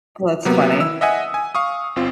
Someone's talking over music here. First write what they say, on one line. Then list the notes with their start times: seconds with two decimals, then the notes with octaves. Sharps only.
Oh, that's funny.
0.45 C3 F#3 A#3 B3
0.80 E4 E6
1.01 D#5 E5 F#5 G#5 D#6
1.34 G#5
1.55 F5 C#6 D#6
1.96 G1 C4 F4